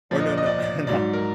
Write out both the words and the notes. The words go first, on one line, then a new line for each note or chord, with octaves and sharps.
Or, no, no, no,
A#2 F3 D5 D#5
D5
D#5
D5
D#5
D5
G#2 F#3 D5
A#4